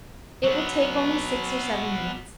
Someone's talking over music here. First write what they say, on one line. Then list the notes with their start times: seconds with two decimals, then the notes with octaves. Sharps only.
It will take only six or seven minutes.
0.44 F#3 B3